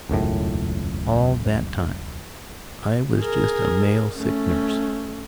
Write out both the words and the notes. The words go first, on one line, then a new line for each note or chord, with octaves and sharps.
For, all that time, I was just a male sick nurse.
E1 C#2 F#2 A2
G#4 A#4
A3 C#4